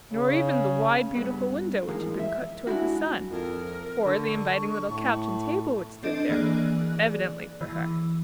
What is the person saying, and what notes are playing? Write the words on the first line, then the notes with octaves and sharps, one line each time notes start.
Nor even the wide, beautiful window which had been cut toward the sun, or the inviting little couch and table which stood there, evidently for her.
C#3
G2 B3
G#2 E3 F3 G#3 A#3
E5
G#3 D4 E4 F#4
F2 A#4
D3 C#6
A2
C4 D4 A4 D#5 D7
E3 A#3 G#4 D5 F#6
E3